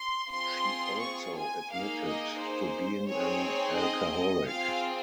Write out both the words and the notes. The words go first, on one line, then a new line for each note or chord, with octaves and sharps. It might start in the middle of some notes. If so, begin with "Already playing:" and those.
She also admitted to being an alcoholic.
Already playing: C6
C4 F4 G#4 C6
C#6
G#5
A#3 D#4 G#4 F5
D#5
C5
C4 D#4 G#4 C#5
D#5
C4 F4 G#4 F5